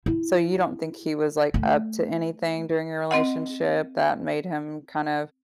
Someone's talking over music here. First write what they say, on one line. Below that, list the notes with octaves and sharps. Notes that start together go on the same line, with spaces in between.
so, you don't think he was, like, up to anything during your relationship that made him kind of,
E4
A3
C4 D#5 F#5